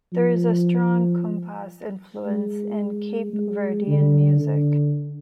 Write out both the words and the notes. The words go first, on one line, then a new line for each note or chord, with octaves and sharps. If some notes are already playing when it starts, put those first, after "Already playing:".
There is a strong compas influence in Cape Verdean music.
F3
G#3
G#3
D3
D3